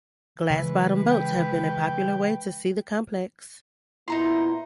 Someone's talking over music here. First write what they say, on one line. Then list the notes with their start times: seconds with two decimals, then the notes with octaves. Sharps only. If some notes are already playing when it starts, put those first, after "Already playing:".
Glass-bottom boats have been a popular way to see the complex.
0.50 C#3 E3 G#3 B4
1.11 G5
4.08 A#2 B3 D#4 E4 A#5 C6